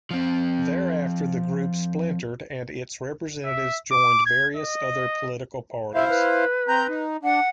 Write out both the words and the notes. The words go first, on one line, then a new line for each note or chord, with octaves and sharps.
Thereafter the group splintered and its representatives joined various other political parties.
F3 C4
E5
D6
G#6
D#5
E4 C5 E5 F5
B4
C4 A#5 G6
D#4
D4 F#5